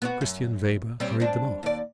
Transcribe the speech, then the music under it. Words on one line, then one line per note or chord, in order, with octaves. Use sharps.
Christian Weber hurried them off.
B3 C4 F#4
F#2
G3 C4 C#4
G3 D4
D#2 D5